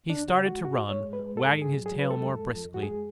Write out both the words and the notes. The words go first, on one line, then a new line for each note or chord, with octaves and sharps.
He started to run, wagging his tail more briskly.
D2 D4
C#3 F#4
G#3 F#4
G#2 F#4
G#2
C#5
G#3
B4
G#3
G#2 A4
G#2
G#4
F#3
G#4
F#3
B4
G#3 A4
F2
F3
F2
F#4
G#3 G#4